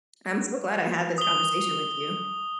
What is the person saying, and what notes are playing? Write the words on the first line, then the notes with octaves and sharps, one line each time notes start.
I'm so glad I had this conversation with you.
D#6 G7